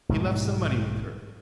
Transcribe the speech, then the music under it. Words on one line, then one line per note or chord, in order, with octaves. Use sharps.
He left some money with her.
B1 G#2 E3 G3